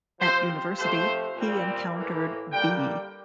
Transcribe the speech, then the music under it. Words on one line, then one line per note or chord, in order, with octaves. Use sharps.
At university, he encountered B.
C3 F3 C4 C5
C3 F3 A3 C5
A#2 G3 C4
A2 E3 A#3
D3 G3 A#3 G5